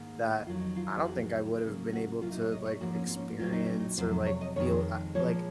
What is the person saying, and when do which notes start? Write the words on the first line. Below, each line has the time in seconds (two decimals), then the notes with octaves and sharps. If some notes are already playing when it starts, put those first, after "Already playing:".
that I don't think I would've been able to, like, experience or, like, feel, uh like,
Already playing: G#2 D#3 A#3
0.47 F2 D#3 F#3 F4
0.61 D#4
0.76 F4
0.97 G#4
1.05 F2 D#3 F#3 F#4
1.63 C#3 F#3 A#3
1.93 F#4
2.22 C3 F#3 A#3 F4
2.32 D#4
2.41 C#5
2.52 D#5
2.66 C#5
2.80 G#2 F3 A#3 F#4
2.95 C#4
3.06 C4
3.16 C#4
3.39 A#2 F#3 C4 F4
3.52 D#4
3.66 C#4
3.80 D#4
3.98 F2 C3 F#3 C5
4.26 C#5
4.41 D#5
4.56 F2 D#3 G#3 C#5
5.15 A#2 F3 G#3 C#5